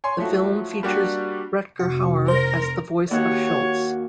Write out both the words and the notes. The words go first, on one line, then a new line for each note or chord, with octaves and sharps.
The film features Rutger Hauer as the voice of Schultz.
C#5 G#5 C6
F3 F#3 A3 E4 F#4
G3 A#3 D4 F#4 G4
F1 C3 F#4
A#4 C5
D#2 F#4 C#5 F#5